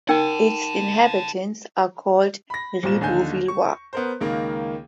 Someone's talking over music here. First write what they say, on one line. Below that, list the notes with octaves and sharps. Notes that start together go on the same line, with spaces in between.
Its inhabitants are called "Ribeauvillois".
D#4 A#4 F#5 G5 A5
B5 A#6
G#1 A#2 E7
D#2 D3 D#4 G#5 G6
C#6
B3 A#4 C5
C#2 D#3 A#3